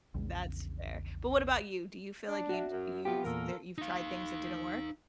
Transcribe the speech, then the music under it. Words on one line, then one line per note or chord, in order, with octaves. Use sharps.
That's fair, but what about you? Do you feel like you'd you've there you've tried things that didn't work?
A#1 E2 C#3
D4
F#4 E5
F#2
C3 F3 B3 F4 G4
E2 A#2 F4 A4 A#4
D#4 F5